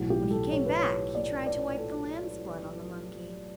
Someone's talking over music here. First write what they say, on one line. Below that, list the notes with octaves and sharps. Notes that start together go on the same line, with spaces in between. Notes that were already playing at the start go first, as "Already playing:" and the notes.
When he came back he tried to wipe the lamb's blood on the monkey.
Already playing: B1 A2 E3 F#4
G4
A4
C#5
B4
C#5
D5
D5
A4